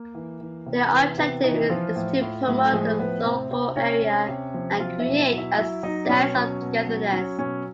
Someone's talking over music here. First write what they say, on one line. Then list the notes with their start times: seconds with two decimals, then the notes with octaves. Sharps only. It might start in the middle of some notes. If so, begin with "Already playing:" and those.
Their objective is to promote the local area and create 'a sense of togetherness'.
Already playing: A#3
0.15 E3
0.41 E3
0.66 C3
0.92 E3 B3
1.18 C3 B3
1.44 D#3 E3 D#4
1.70 F3 F4
1.96 A2
2.22 A2
2.47 A2 F#3 F#4
2.65 A4
2.73 F3 G#3 G#4
2.99 A2 B3 B4
3.25 C3 C4 C5
3.51 C3 C4 C5
3.76 C3 C#4 C#5
4.02 C3
4.29 C3
4.54 F3
4.80 F#3 F4 F5
5.00 E4 E5
5.06 B2
5.19 E4 E5
5.32 F#3
5.38 E4 E5
5.58 F#3 E4 E5
5.83 F#3 D#4 D#5
6.05 D5
6.09 B2 C#4 C#5
6.35 F#3
6.62 B2
6.87 F#3
7.13 F#3 C#4 C#5
7.39 B2 C#4 C#5